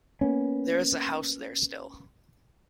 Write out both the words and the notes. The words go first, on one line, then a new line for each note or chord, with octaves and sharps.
There is a house there still.
A#3 B3 C#4